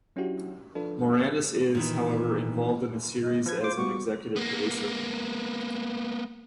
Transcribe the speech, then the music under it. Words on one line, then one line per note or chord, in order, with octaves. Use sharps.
Moranis is, however, involved in the series as an executive producer.
F#3 C#4 D4 E4 F#4 G4
F3 D4 F4 A4 B4
A#2 D#3 E3
D#5
F3 B4 G#6
F4 C5 D6
G3 B3 F#4 C#6
A#3 B3